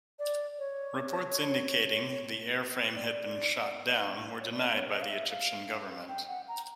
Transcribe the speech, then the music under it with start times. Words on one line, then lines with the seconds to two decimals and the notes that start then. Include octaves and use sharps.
Reports indicating the airframe had been shot down were denied by the Egyptian government.
0.19 D5
0.59 C#5
2.95 D5
4.40 C#5
4.51 D5
4.71 C#5
4.91 D#5
5.02 F5
5.10 E5
5.30 F5
6.09 G5
6.28 F#5
6.48 A#5